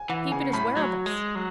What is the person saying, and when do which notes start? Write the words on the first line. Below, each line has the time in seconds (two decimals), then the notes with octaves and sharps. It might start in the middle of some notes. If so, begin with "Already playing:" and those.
Peep at his wearables.
Already playing: G#5
0.09 E3 F#5
0.32 C#3 G#5
0.53 A2 B5
0.76 F#3 G#6
1.06 G#3
1.35 F#3